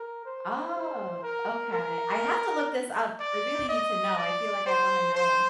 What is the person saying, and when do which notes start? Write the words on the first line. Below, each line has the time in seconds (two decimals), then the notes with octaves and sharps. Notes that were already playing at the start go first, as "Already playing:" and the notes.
Oh, okay. I have to look this up, we really need to know, I feel like I wanna know.
Already playing: A#4
0.25 C5
0.74 C5
1.23 A#4
1.72 A#4
3.20 D5
3.69 D#5
4.17 D5
4.67 C5
5.14 C5